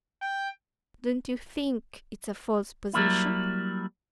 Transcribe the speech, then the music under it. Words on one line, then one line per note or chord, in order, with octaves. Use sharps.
"Don't you think it's a false position?"
G5
F#3 G3 A#3 E4